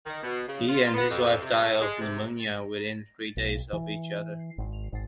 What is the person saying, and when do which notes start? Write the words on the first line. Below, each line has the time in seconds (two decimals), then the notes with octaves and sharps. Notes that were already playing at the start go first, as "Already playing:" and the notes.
He and his wife died of pneumonia within three days of each other.
0.06 D#3
0.23 B2
0.47 C#3
0.68 F4
0.94 B3
1.09 F2
1.41 C3
1.62 A3
1.80 G#3
2.00 C3
3.37 B1
3.73 E3
4.58 G#1
4.93 G#1